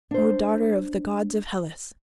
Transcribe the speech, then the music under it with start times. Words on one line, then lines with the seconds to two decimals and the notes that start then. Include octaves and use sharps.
Oh, daughter of the gods of Hellas!
0.11 D4 C5